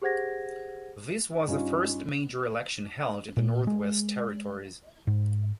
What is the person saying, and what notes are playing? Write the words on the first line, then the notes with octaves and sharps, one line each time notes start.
This was the first major election held in the Northwest Territories.
G4 G#4 C5 F#5 G#6 A#6
G2 C#4 D#4 F4
A#2
G#3
G#2